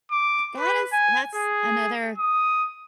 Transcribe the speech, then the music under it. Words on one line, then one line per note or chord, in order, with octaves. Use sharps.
That is that's another,
D6
B4
G#5
G#4
D#6